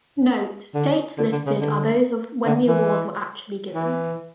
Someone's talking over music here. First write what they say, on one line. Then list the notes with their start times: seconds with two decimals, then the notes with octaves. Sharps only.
Note: Dates listed are those of when the awards were actually given.
0.74 D3
1.18 D3
1.32 D3
1.46 C#3
1.60 D3
2.46 D3
2.67 E3
3.75 E3